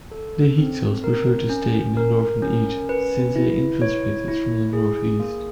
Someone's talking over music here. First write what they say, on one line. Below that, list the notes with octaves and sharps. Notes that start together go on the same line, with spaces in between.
The Hyksos preferred to stay in northern Egypt since they infiltrated from the north-east.
A4
C4
A#4
C#4
A#4
C#4
B4
E4
C#5
E4
G#4
A#3